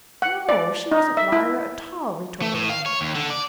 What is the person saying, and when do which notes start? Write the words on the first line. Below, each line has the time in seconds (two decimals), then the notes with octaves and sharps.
"No; she wasn't Lyra at all!" retorted Annie.
0.22 F#5
0.49 D5
0.91 D#4
1.17 E5
1.32 E4
2.42 A3
2.55 A2
2.69 F5
2.86 C#5
3.01 D#2
3.15 D3
3.30 D5